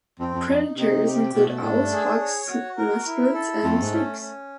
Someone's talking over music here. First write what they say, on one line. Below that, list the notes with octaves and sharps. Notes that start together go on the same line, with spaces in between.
Predators include owls, hawks, mustelids, and snakes.
F2 C4
F2
F2 D#4
C3 D#4
G4
B2 A3
B2
A2 D4
G#2
G2
G#4
C#5
F#4
A#4
E4
A4
F2 A3
G#2
C#4
C#4